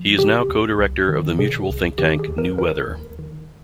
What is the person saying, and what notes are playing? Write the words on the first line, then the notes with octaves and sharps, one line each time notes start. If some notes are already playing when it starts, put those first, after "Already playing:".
He is now co-director of the mutual thinktank New Weather.
Already playing: F3
C#3 G4
D#2
C2
D#3
C3 G#4
C2
D#3 G4
G#4
D#2
A#4
D#3 A#4
D#2
D#3